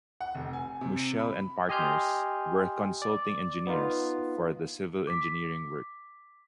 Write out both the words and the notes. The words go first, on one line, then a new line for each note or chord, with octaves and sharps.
Mouchel and Partners were consulting engineers for the civil engineering work.
F#5
F1
G#5
C3
B5
G4 D#5 G#5 C6 F6 G6
D5
B3 D#4 F4
D6 B6